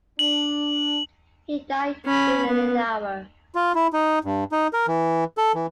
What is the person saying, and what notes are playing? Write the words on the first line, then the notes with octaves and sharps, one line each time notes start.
He died within an hour.
D4 F#7
C#4 B5
B3
F4
E4
D#4
G2
D#4
A#4
E3
A4
E3